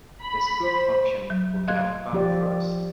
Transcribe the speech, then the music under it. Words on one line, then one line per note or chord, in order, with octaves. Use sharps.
The scoop function would have come first.
B5
C5
F#3
D#5 F5 C6 F#6 G#6
F3 G4 D5